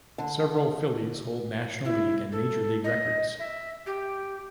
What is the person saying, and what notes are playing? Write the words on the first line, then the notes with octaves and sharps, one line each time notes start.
Several Phillies hold National League and major league records.
D3
E4
A4
D#5
E5
G4